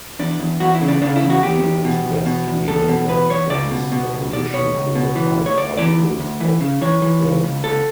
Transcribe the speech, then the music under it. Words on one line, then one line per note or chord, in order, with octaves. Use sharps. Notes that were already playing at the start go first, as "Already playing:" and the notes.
He is best remembered for his opposition to the Five Articles of Perth.
E2 D4
E2
E2 F#4
E4
C#3
D4
C#3 D4
E4
E2
F#4
E2 G4
E2
B2
E2
B2
E2
E2 A4
B2
E2 B4
E2 C#5
C#2 D5
B2
B2
C#2
B2 D5
B2 C#5
C#2
B2
E3
D2
C#5
D2 D5
E3 D5
D2
D2
E3
C#3
E3 C#5
E3
C#2
C#2
C#2 A4